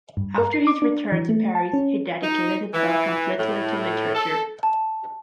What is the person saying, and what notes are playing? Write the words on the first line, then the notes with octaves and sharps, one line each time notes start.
After his return to Paris he dedicated himself completely to literature.
G2
A#4
C7
D6
D4
E3
A3
A5
C#4
D#4
E3
A2
A4
A5